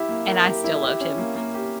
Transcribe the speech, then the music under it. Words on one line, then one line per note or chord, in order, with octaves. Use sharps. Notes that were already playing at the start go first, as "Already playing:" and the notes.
and I still loved him,
Already playing: E4 G4
A#3
A#4
G4
E4
G4
C#4
A#3
A#3
G4